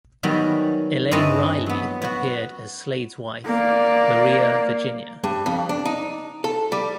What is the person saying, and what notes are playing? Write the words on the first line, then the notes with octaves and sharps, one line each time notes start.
Elaine Riley appeared as Slade's wife, Maria Virginia.
D#3 F#3 G3 B3 C#4
G2 C4 C#4 E4 D#5 A5
F#3 B3
B3 F#4
A#3 D5
G2
F2
D4
D#4
A4
G3